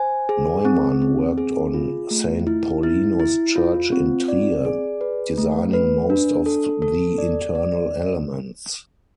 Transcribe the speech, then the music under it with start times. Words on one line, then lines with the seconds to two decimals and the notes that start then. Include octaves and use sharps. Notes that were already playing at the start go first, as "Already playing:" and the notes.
Neumann worked on Saint Paulinus' Church in Trier, designing most of the internal elements.
Already playing: C5 G#5
0.29 G#4
0.65 C4
1.02 C4
1.38 G#4
1.74 F4
2.11 A3
2.47 E4
2.83 E4
3.20 E4
3.56 F4
3.92 C4
4.28 D5
4.65 G#4
5.01 B4
5.38 A3
5.73 B4
6.10 D4
6.46 A4
6.82 A4
7.18 D5
7.55 D5